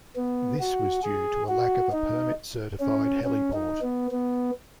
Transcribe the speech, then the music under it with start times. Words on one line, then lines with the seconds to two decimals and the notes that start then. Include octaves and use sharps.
This was due to a lack of a permit-certified heliport.
0.16 B3
0.60 F#4
1.04 G#4
1.49 F#4
1.92 D#4
2.80 C#4
3.24 C#4
3.53 D#4
3.82 B3
4.11 B3